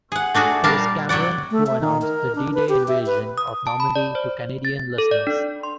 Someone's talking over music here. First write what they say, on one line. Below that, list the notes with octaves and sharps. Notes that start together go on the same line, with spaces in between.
It was Cameron who announced the D-Day invasion of Normandy to Canadian listeners.
G#4 F#5
A3 D4 F#4 G#4
A#2 G3 D4 A#4 F5 A5
C3 F#3 C#5 D5 F#5
A3
E5
D#3
A#4
D4
B4
G4
E5
B4
D#6
A5
B5
D5
C5
A6
A4
D5
D4
C6